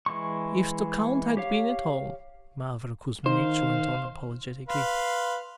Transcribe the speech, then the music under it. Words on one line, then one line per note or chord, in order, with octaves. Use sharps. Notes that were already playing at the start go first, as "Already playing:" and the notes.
"If the count had been at home..." Mavra Kuzminichna went on apologetically.
E3 G#3 C#6
G4 C#5 F5
D#3 D#4 C5 F5
B4 F5 C6